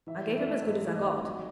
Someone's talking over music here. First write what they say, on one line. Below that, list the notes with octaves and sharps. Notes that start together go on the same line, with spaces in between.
I gave him as good as I got.
E3 E5
E3
E5
A3
E5
G#2 D#5
A3
D#5
G#1
F#3